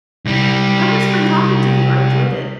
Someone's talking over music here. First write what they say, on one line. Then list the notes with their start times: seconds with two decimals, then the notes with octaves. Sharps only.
It was fun talking to you, I enjoyed it.
0.25 C2 G3